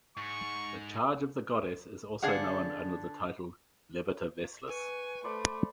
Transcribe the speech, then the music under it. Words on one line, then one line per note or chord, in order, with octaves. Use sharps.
The Charge of the Goddess is also known under the title "Leviter Veslis".
G#2 C#6
D3 D4 G#4 F5 F#5
B4 G#5 C#6
A3 C5 D5 B5